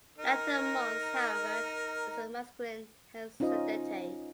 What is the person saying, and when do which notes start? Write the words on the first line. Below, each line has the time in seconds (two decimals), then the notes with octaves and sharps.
Latin mons, however, is a masculine, hence Sudeti.
0.18 D#4 A#4
3.40 C#4 D#4 F4 C5 D#5